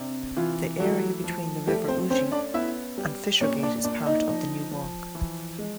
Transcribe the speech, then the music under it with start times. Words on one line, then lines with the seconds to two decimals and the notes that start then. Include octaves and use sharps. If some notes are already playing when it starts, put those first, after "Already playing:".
The area between the River Ouse and Fishergate is part of the New Walk.
Already playing: C3 D4
0.37 E3 F4
0.80 F#3 A3 F#4
1.24 F3
1.67 G3 A3 G4
1.88 C4 C5
2.10 C4 C#4 C5
2.32 D4 D5
2.54 B3 E4 E5
2.98 G3
3.41 A#2 C#4 C#5
3.63 D4 D5
3.84 A#2 D4 D5
4.06 D#4 D#5
4.28 F3
4.71 F3
5.15 E3
5.58 G#3